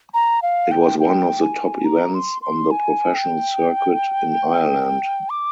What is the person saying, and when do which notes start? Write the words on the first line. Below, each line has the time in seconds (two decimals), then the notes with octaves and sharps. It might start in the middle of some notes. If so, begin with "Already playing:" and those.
It was one of the top events on the professional circuit in Ireland.
0.14 A#5
0.42 F5
0.71 G5
1.00 G5
1.43 G#5
1.85 A#5
2.14 C6
2.42 C6
2.71 G#5
3.14 G5
5.30 D6